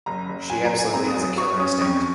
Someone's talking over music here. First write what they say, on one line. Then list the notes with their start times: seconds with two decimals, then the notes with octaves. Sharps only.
She absolutely has a killer instinct.
0.06 F#1 A#5
0.29 F#1
0.50 F#3 G#5
0.65 A#5
0.73 A#3
0.79 G#5
0.93 C4 A#5
1.08 D#6
1.16 F#3
1.23 D#6
1.37 F#3 C#6
1.59 C#4 D#6
1.81 F2 C#6